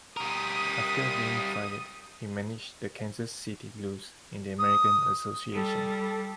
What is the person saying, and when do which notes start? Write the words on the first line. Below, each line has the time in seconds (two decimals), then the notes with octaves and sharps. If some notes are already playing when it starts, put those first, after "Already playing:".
After being fired, he managed the Kansas City Blues in the American Association.
0.17 G3 A#4 D#6
4.59 D#6
5.52 G3 A4